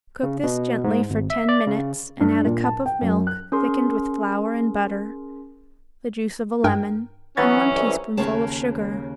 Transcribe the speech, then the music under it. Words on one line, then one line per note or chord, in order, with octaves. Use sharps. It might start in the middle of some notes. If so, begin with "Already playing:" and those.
Cook this gently for ten minutes and add a cup of milk thickened with flour and butter, the juice of a lemon and one teaspoonful of sugar.
C#3
B2
G#2
G#1
E5
D5
C#3
G2
A#2
A5
G5
F#2
F#6
C#4 G#4 A#4 C6
G2 A#4 G5
E3 F#3 B3 C#4 G#6 A6
C2
D#2 C#3 A#3 C#5 A5